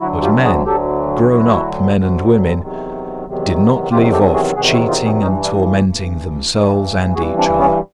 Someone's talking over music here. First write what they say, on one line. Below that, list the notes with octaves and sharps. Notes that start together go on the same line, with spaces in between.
But men, grown-up men and women, did not leave off cheating and tormenting themselves and each other.
D2 D3 F#3 E4 F#4
F4 G4
F#4 G#4
D2 D3 F#3 G4 A4
D2 D3 F#3 E4 F#4
D2 D3 F#3
E2 C3 D#3 F#3
E2 C3 D#3 F#3
E2 C3 D#3 F#3 F4 G4
G4 A4
F#4 G#4
E2 C3 D#3 F#3 F#4 G#4
E4 F#4
D#4 F4
C#4 D#4
G2 E3 C#4 D#4
D4 E4
G2 E3
G2 E3
G2 E3 F#4 G#4
C4 D4
B3 C#4